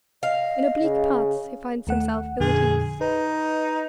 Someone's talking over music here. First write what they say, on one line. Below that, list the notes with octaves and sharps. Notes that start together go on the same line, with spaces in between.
In oblique paths he finds himself ill at ease.
D#5 F5
C#3
D#2 A3 F#5
F2 A#2 D3 G#4
D#4 B4